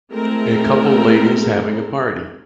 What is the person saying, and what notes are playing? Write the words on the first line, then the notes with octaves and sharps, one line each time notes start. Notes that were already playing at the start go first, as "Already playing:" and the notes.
A couple ladies having a party.
G#3 A3 C4 E4 A4 A#4